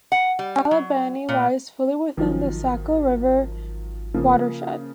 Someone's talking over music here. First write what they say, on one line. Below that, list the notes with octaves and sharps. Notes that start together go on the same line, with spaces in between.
Albany lies fully within the Saco River watershed.
F#5
G3
F#3
A#2
G#1 D#3 F3 F#3
C#3 F3 A#3